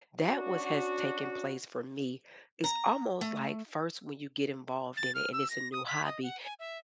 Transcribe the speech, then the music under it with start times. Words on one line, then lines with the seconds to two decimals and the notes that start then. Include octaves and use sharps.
that was has taken place for me. It's almost like first when you get involved in it and it's a new hobby,
0.20 C#4 D4 F#4
2.64 A#5
3.21 A3
4.97 A6
5.15 F6
5.33 E6
5.50 A#6
5.72 D#6
5.87 B6
6.05 D#5
6.23 F#5
6.45 G#5
6.60 E5